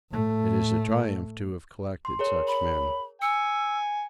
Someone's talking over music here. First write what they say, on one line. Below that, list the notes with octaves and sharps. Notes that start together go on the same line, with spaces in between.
It is a triumph to have collected such men.
A2 A3
C6
G#4 A#4 C#5
B5
G#5 E6 C#7